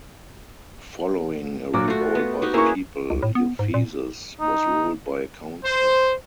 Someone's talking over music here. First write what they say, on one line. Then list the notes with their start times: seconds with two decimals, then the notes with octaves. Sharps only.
Following a revolt by the people, Ephesus was ruled by a council.
1.73 A#2 F#3 F#4 D6
1.88 A3 F4 F#4
2.15 B3
2.42 D#4 F#4 G4
2.54 A#3 C#4 E4 G#4 C#6
3.10 C#2
3.23 A2
3.35 B3
3.59 G#2
3.74 A#2
4.40 D#4
5.65 C5